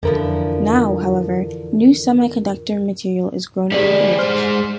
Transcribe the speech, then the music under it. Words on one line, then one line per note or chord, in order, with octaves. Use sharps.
Now, however, new semiconductor material is grown over the ridge.
F2 D3 E3 F3 A#4
G3 G4 G#4 D5 F#7
G#3 C5 F6